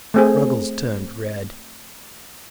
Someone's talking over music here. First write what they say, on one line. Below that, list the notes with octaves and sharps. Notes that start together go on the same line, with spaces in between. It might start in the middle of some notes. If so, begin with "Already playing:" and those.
Ruggles turned red.
A3 C4 G#4